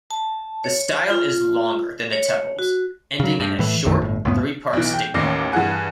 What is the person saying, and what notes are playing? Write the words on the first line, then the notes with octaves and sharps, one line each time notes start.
The style is longer than the tepals, ending in a short three-part stigma.
A5
C#5
F4
C#5
F#4
C#3 F#3
G2
A2 E3 A3
B1 F#2 D#3 A3
G1 A2
C#2 F#2 A2 B3
B1 E3
G5
A1 D#2 C#4 D6 A#6 C7
G2 E3 G#4 F#5 G#5